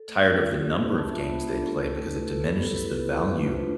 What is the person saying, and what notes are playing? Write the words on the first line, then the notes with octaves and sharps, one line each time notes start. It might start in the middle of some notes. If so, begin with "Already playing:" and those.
tired of the number of games they play, because it diminishes the value
Already playing: A4
A3
D4 F4
A3 G4
A4
D4 F4 B4
C5
B3 D5
A5
D4 F4 E5
D5
B3 C5
D4 F4 G4
A4
A3
E4
A3 B4
E4 A4
B3 G4
A4
E4
B4
B3 B4
E4
A3
D4 F4 C5
B4